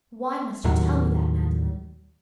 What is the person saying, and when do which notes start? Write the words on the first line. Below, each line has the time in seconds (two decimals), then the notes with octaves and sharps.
"Why must you tell me that, Magdalen?"
0.64 D#2 A2 D#3 F#3